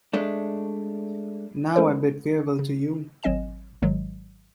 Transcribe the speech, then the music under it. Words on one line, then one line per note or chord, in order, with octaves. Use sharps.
Now I bid farewell to you.
G#3 A3 D4
G#3 A3 C#4 A4 A#4 C5
C#3
G#1 F#3 C4 D#5 G#5 E7
G#1 G#2 D#3 F#3 G#3